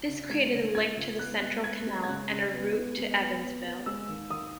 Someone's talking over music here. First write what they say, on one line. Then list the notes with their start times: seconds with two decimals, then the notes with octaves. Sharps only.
This created a link to the Central Canal and a route to Evansville.
0.08 C#3
0.30 G#3 G#6
0.52 C#3
0.75 C#2 G#6
0.97 C#2
1.19 B3 F#6
1.42 G#3
1.64 B3 G#6
1.87 G#3
2.03 G#6
2.08 C#3 F#6
2.31 C#3
2.53 B3
2.75 B3
2.97 G#3
3.20 B3
3.42 B3
3.65 B3
3.86 G#3 E6
4.09 D#2
4.30 D#2 D#6